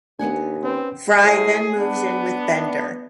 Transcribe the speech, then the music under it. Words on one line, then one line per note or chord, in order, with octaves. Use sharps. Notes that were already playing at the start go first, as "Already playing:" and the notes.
Fry then moves in with Bender.
D#2 B3 D4 F#5 G#5
C4 C#4 B4
A2 G#4
B3 D4